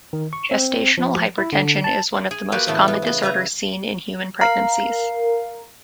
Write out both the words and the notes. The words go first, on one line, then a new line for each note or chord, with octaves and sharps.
Gestational hypertension is one of the most common disorders seen in human pregnancies.
D#3
C#6
C4
F3
E4
D3
A5
G#4
A#3 B3 F#4 G4 B4
A2 C#3 E3 A3 B3
B3
C#3 B3
C#3 G3 B4 E5 A#5
A#4 F5